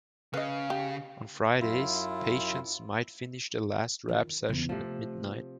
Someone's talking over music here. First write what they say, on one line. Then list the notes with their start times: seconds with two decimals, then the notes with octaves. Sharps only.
On Fridays, patients might finish their last rap session at midnight.
0.34 C#3 B4 D#5 F5
0.70 G4
1.61 F#2 E4 F4
4.08 D#3 F4
4.49 E2 C#3
4.69 C3 F3 A3